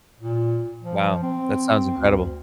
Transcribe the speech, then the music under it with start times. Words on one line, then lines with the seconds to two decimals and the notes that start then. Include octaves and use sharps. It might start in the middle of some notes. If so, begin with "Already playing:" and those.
Wow, that sounds incredible.
0.20 A#2
0.82 F3
1.23 C4
1.98 D2